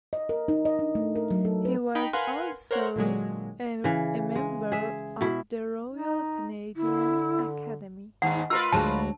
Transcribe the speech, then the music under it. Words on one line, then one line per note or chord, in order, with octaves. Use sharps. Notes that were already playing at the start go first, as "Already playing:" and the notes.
He was also a member of the Royal Canadian Academy.
D#5
A#4
D#4
D#5
D4
A3
A#4
F#3
A4
B4
D#4 G5 B5
A#4 B4 F5 F#5 G#5 C6
A#4 C5 C#5 F#5 C6
A#2 D3 F#3 G#3
C#3 E3
G#3
G#4 E5
B2 E4
D#4
D3 E4
D#2 G#2 F#5
F4 A#4 B4 E6
D2 F#3 G#3 A5